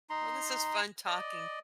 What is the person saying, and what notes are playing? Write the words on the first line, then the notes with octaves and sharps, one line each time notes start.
Well, this is fun talking.
D#4 A#5 C6
D5 D#5